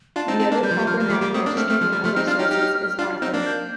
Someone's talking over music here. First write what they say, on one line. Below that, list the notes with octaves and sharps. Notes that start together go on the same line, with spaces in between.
The other proper noun registered in other sources is Arthur.
D4 F4 A5
C4 D#4
C4 D#4
A#3 D4
G3 G6
F3
G3
F3 F6
G3
F3 A3 D6
G3 A#3
A3 C4 D#6
A#3 D4
A3 C4 F6
A3 C4
F3
G3
F3 A3
C4 D#4
D4 F4
D#4 G4
D#4 G4
D4 F4
C4 D#4
A#3 D4
G6